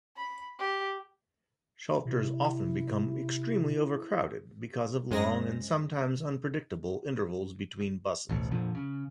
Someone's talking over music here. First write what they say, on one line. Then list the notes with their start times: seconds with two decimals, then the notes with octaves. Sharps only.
Shelters often become extremely overcrowded because of long and sometimes unpredictable intervals between buses.
0.17 B5
0.59 G4
2.05 C3 E4
5.11 F#2 G#3 C4 G#5 A#6
8.29 A1 D2 B2
8.51 F2 A#2 D3 F3
8.75 C#3